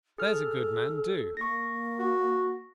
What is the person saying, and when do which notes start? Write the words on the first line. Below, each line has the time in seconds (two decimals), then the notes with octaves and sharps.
'There's a good man, do.'
0.18 G#4 A4 F6
1.37 A#3 C#6 A#6
1.99 F#4